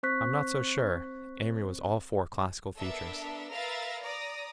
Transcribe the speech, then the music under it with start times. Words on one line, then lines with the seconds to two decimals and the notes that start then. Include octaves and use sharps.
"I'm not so sure." Amory was all for classical features.
0.03 C4 C5 C#6 F#6 B6
2.77 B3 D4 A4 A#4 E5
3.50 A#4 B4 E5 F5 A#5 A6
4.02 D5 A#5 D#6